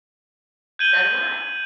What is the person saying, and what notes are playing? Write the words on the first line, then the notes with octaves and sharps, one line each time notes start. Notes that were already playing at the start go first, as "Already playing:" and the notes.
So do I.
G6 G#6 D#7 F#7 G7